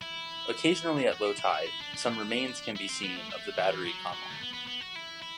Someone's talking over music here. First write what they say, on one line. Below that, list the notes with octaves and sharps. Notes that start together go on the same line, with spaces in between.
Occasionally at low tide, some remains can be seen of the Battery Connell.
E4
F#4
E4
E4
F#4
E4
D4
D4
D4
E4
C4
B3
A3
A3
E3
F#3
F#3
A3
B3
B3
B3
F#4
E4
E4